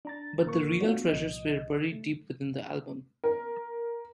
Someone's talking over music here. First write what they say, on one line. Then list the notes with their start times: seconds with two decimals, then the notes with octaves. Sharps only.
But the real treasures were buried deep within the album.
0.05 D4 A#5 A6
0.45 A1 A#3 A#4 C#6
0.81 B3 D4 F4 F#4 C#5
1.09 C2 A#2 F3 D#5
1.92 A3
3.24 A#4